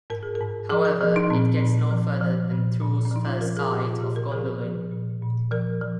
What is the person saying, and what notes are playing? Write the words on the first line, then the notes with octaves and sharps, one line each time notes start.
However, it gets no further than Tuor's first sight of Gondolin.
G#2 A#4
G#4
A#4
G#2
F3 G#4
A#4
F3 G#4
D#4
A#2 C4
A#2
F3
F3
A#2
A#2
C#4
F3 D#4
F4
F3 A#4
G#4
A#2 G4
F4
A#2 G4
A#4
F3 G#4
F3
A#2
A#2
F3 A#4
F3